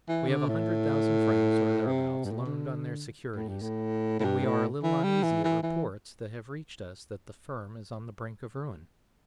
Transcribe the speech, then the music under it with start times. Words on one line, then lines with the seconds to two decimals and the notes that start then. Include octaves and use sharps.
We have a hundred thousand francs or thereabouts loaned on their securities, and we are a little uneasy at reports that have reached us that the firm is on the brink of ruin.
0.09 E3
0.28 D3
0.49 A2
1.87 C3
2.25 G2
2.31 A2
2.39 C3
2.46 D3
3.35 A2
3.49 G2
3.62 A2
4.19 A2
4.25 G2
4.45 A2
4.83 E3
5.03 G3
5.23 E3
5.44 E3
5.63 E3